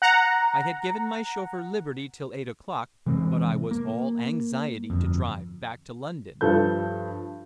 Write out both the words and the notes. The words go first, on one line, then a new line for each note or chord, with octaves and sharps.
I had given my chauffeur liberty till eight o'clock, but I was all anxiety to drive back to London.
F#5 A#5
C3 E3 G#3 C4
A#3
G1 F2
G2 F3 A4 G6